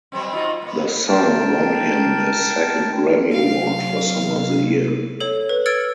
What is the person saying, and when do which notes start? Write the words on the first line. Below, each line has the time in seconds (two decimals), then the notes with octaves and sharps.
The song won him his second Grammy Award for Song of the Year.
0.12 F#3 B3 C4
0.33 D#4 F4 F#4
0.62 A#3 B3
1.08 A#4 G5 A5
3.32 C3 F#3 F5
5.20 A4 C#5
5.49 B4
5.66 E6 F6 G#6 A6 C#7 D7